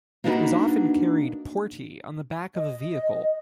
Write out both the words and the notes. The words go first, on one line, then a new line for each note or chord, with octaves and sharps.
It was often carried "portee" on the back of a vehicle.
A#3 B3 D4 D#4 F#4 B4
D#5